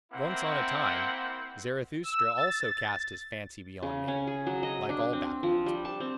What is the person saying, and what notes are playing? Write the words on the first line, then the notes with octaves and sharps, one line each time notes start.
Once on a time, Zarathustra also cast his fancy beyond man, like all backworldsmen.
A#3 C4 E4 F#5
E6
A6
C#3
C#4
G#4
F#3
D#5
D4
C4
F3
G3
A5
C4